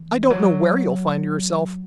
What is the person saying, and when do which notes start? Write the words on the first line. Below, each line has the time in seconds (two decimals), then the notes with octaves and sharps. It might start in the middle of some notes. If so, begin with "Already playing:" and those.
I don't know where you'll find yourself.
Already playing: E3
0.30 F#3